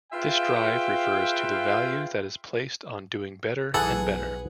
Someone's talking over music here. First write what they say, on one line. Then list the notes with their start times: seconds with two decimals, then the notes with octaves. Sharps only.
This drive refers to the value that is placed on doing better and better.
0.12 F4 G#4 B4 E5 F5 G5
3.74 B1 E3 G#4 A4 B4 F#5